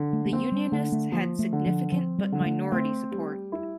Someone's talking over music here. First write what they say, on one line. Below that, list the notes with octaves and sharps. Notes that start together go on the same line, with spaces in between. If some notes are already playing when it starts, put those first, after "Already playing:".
The Unionists had significant but minority support.
Already playing: D3
A3
A3
A#3 C4
G3
D3 A3
A3
F3 A#3
A3
D3
F3
F3 C4
G3
D3
G3
A3
A3 C4
G3
E4